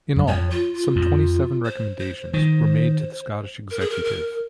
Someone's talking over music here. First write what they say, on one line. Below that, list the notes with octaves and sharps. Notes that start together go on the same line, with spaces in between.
In all, some twenty seven recommendations were made to the Scottish Executive.
F#2
F2 C#5
F4
F4
F2
C5
C5
D#3 C5
A#4
G#4
A#4
A#4